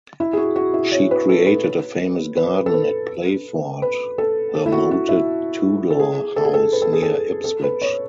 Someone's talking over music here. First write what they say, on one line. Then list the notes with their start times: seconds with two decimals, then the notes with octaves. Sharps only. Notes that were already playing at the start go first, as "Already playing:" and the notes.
She created a famous garden at Playford, her moated Tudor house near Ipswich.
0.20 E4
0.33 G#4
0.37 F#4
0.56 F#4
0.74 E4
0.92 C#5
1.11 B4
1.29 A4
1.46 B4
2.37 B4
2.66 A4
2.74 B4
3.82 B4
4.18 A4
4.55 A4
4.66 E4
4.72 F#4
4.91 F#4
5.09 E4
5.90 A4
5.99 G#4
6.36 A4
6.45 G#4
6.54 A4
6.73 B4
6.82 A4
6.93 G#4
7.02 A4
7.44 A4
7.63 B4
7.82 C#5